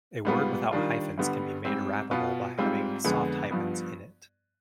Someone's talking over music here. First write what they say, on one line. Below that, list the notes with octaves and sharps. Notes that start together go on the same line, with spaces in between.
A word without hyphens can be made wrappable by having soft hyphens in it.
G#2 G3 B3 F4
D#3 G3 D4 F4
G2 D3 G3 B3
G#2 G3 C4
B2 B3 F4
G#2 G3 C4 F4
F2 D3 G#3 B3
G2 F3 B3